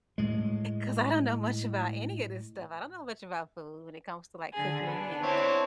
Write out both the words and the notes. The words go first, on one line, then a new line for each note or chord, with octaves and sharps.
'cause I don't know much about any of this stuff. I don't know much about food when it comes to, like, cooking and,
A2 G#3
D3 G#4
B3 D4
C4 E4 C#5